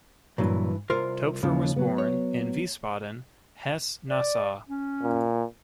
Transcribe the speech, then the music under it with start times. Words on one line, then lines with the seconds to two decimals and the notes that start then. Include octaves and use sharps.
Toepfer was born in Wiesbaden, Hesse-Nassau.
0.38 G2 A#2 E3 F#3
0.90 C2 F4 A#4 C5
1.43 D#2 C#3 F3 C#4
1.76 F#3 B3
1.98 C#5
4.10 D5
4.69 C#4
5.03 A#2